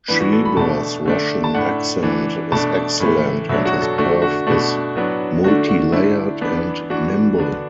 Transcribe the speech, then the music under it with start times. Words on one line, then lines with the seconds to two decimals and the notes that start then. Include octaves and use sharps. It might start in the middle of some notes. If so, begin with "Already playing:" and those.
Trebor's Russian accent is excellent, and his perf is multilayered and nimble.
0.08 E3 B3 D4 B4
0.20 F#4
0.33 A4
0.45 B5
0.57 B2 A3 D4 A5
1.06 D3 A3 D4
1.44 A5
1.55 A2 A3 D4 F#5
2.03 E3 D4
2.52 B2 A3 D4 A5
3.00 A2 E3 A3
3.49 B2 F#3 D4 E5
3.65 F#4
3.82 A4
3.98 D3 A3 D4 F#4
4.22 F#4
4.47 B2 A3 D4 F#4
4.95 A2 F#3 B3 D4
5.44 D3 A3 D4 F#4
5.68 F#4
5.92 D3 A3 D4 E4
6.41 E3 B3 D4
6.90 E3 D4 F#4
7.39 D3 B3 D4